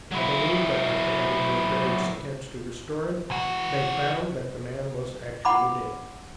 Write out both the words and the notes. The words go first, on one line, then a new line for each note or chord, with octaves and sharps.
I believe that after having made various attempts to restore him, they found that the man was actually dead.
F#3 E4
E3 F#4
F#5 B5 D6